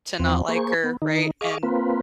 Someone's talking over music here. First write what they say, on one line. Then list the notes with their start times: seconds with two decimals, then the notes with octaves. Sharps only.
to not like her, right, and
0.19 E2 F3 C4
0.48 A#3 G#4 C5 C#6
0.84 B3
1.02 D#3 D#4
1.41 G#4 D#5 F5 C#6 D6
1.63 A#3 C4 F4 B4